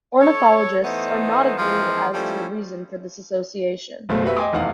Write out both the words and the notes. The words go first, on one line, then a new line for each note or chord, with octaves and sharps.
Ornithologists are not agreed as to the reason for this association.
A4 C#5
E3 A3 B3 D#4 C5
E3 F3 G#3 A#3 C4
F3 G3 A3 C#4 E4
F#1 B2 A3 C5 F5
F#4 G4 B4 E5
D#5 G5 G#5 C6 D6
F1 E2 D#4 F5 F#5